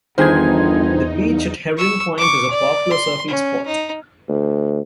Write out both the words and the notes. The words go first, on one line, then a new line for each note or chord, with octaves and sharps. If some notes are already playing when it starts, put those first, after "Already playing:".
The beach at Herring Point is a popular surfing spot.
G1 E2 D#3 D#4 G#4 C5 C6 G#6
C#6 E6
C#6 D6
D5
C6
C#4
D#4
D2